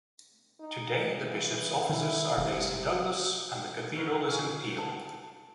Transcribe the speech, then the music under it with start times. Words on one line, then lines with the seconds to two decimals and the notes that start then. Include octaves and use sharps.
Today, the bishop's offices are based in Douglas and the cathedral is in Peel.
0.60 D#4
1.23 E3
1.89 D#3 E4
2.37 F#1 C3
3.95 E4 F#4 A#4 B4
4.28 C#4 F4 G#4 G#5
4.78 A5